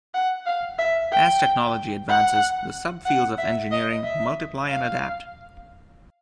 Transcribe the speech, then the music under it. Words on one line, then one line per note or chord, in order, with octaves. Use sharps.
As technology advances, the subfields of engineering multiply and adapt.
F#5
F5
E5
G5
F#5
F#5
E5
D#5
E5
F5